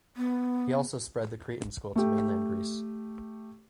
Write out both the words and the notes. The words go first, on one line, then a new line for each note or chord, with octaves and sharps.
He also spread the Cretan School to mainland Greece.
B3
A3 G4